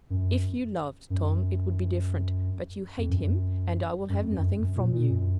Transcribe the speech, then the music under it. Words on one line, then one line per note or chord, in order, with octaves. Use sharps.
If you loved Tom, it would be different, but you hate him, and I will have nothing from you.
F#2
F#2
F2
F#2
F#2
F2
F#2
F#2
A#2
A#2
F#2